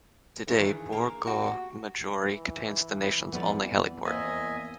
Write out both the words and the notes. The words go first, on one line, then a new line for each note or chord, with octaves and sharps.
Today Borgo Maggiore contains the nation's only heliport.
G2 D#3 E3 G#4
A#3
F#4 G4 G5
E3
F2 F3 G3 B3 D5
E2 A#3 C4 D#5 E5 G#5